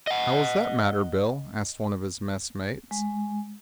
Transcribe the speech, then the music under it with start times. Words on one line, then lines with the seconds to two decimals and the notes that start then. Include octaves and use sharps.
"How was that matter, Bill?" asked one of his messmates.
0.07 D#5 F#5
2.91 G#3